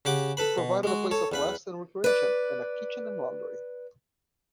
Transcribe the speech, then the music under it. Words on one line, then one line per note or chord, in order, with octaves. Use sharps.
It provided a place of rest and recreation, and a kitchen and laundry.
C#3 G4 F#5 D6
A4 B4 B5
B2
G#3 F#4
A4 C#5
E2 B4 B5
B4 D5